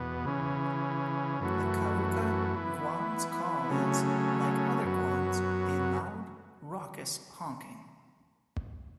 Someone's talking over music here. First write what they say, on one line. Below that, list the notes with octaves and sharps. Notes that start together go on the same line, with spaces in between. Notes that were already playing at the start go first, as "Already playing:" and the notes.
The Cauca guan’s call is, like other guans, a loud, raucous honking.
Already playing: E2 B2 B3
C#3 E3 C#4
F#2 E3 A3 F#4
E3 B3 E4
C#3 F#3 A3 C#4
F#2 F#3 B3 F#4